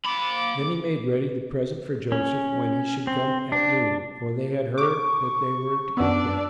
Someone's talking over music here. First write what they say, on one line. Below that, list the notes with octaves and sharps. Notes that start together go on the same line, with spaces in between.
Then they made ready the present for Joseph, when he should come at noon, for they had heard that they were to eat there.
A#3 B5 D6
C#4
C4
D4
C#6 D6
F#2 B3 D4 D5 E6